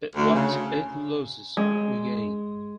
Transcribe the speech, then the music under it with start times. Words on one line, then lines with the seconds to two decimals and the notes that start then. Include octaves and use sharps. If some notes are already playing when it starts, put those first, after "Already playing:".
But what Eton loses, we gain.
0.16 D2
0.34 C#3
1.57 G#3